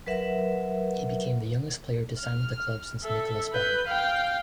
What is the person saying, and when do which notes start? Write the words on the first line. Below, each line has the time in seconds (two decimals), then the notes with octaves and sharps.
He became the youngest player to sign with the club since Nicolas Batum.
0.06 F#3 A#4 B4 E5 F#5
2.19 F6
3.03 A4 E5
3.53 B4 G6
3.87 F5 G5